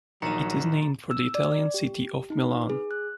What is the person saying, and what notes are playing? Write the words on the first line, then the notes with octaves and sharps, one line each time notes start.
It is named for the Italian city of Milan.
A#1 D#3 F#3 D#4 A#5 A6 C#7 E7
E6
D5
G4
D#4
B4
G#4
F#6